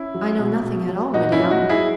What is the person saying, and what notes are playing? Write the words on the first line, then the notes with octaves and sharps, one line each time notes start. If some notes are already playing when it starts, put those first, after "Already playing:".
"I know nothing at all, Madame."
Already playing: C#4 E4
F#3
B2
B2
F#3
A#2 D#4 F#4
C#4 E4
F#3
D#4 F#4
F#3
E4 G#4